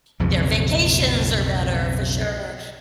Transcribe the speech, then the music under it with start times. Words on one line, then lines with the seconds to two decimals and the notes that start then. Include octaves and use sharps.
their vacations are better for sure.
0.20 B1 F2 C#3 F3